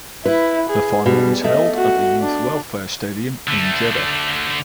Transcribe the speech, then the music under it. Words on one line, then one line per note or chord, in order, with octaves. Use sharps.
The final was held at the Youth Welfare Stadium in Jeddah.
E4 B4
G#4
B2 G3
A3 D#5
F#4
D4
D3 A3